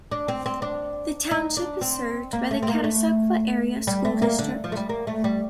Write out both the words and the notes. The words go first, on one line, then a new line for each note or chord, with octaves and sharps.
The Township is served by the Catasauqua Area School District.
D4
C4
C4
D4
D#4
D4
C4
A#3
A3
C4
A#3
A3
G3
A3
A#3
D3
F3
A3
G3
A#3
A3
G3